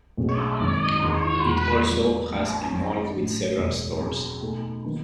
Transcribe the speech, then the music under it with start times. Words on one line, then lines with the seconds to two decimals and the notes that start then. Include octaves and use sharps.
It also has a mall with several stores.
0.17 B1 B2 A3 C#4 G#4
0.60 G#1 F#2 D#3
1.02 E1 E2 D#3 G#3 D#4
1.45 E1 E2 C#3
1.87 G#2 F#3 B3
2.30 A1 A2 F#3 B3
2.72 G#1 F#2 D#3 F#3
3.15 A1 A2 F#3
3.57 F#1 E2 B2 G#3
3.99 B2 F#3 C#4 G#4
4.41 B2 A3 D#4 A4
4.84 D#3 F#3 B3